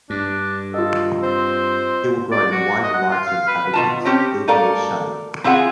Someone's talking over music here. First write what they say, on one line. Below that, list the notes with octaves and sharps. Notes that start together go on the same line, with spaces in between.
It will grow in a wide variety of habitats, even in shade.
G2 D4
F4 A4 D#5
C4 C5
D5
F#4
D#5
F#5
F4
F5
B4
B2 F4 A5
C4 C#4 G4
A3 A4 A#4 D5 F5
C4 E4 F4 G#4 F#5 G#5